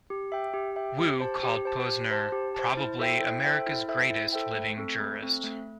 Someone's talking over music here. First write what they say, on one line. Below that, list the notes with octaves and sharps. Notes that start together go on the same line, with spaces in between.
Wu called Posner probably America's greatest living jurist.
G4
E5 G5
G4
E5 G5
G4
C5 A5
G4
C5 A5
G4
C5 A5
G4
C5 A5
E4
A4 C5 E5 G5
E4
A4 C5 E5 G5
E4
A4 C5 E5 G5
E4
A4 C5 E5 G5
A3
C4 A4
A3
C4 A4
A3